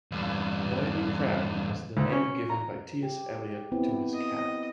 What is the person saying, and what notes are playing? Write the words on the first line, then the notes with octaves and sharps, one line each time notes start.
Noilly Prat was the name given by T. S. Eliot to his cat.
E2 G2
D2
C#4
A#5
G4
B3 C4 E4
D#5